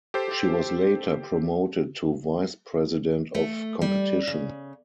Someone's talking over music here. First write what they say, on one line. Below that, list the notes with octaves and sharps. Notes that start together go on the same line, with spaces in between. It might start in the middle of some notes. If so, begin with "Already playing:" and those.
She was later promoted to Vice-President of Competition.
G4 A4 C5
A3
G3
C#3